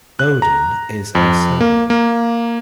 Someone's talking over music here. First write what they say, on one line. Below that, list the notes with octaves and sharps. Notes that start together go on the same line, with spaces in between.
Bodin is a surname.
F#6
A#5
F2
A#3
A#3